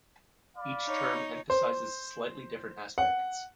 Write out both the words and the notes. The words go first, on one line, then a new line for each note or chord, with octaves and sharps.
Each term emphasizes slightly different aspects.
D5 F5 B5
D#4 C#5
C5
F#5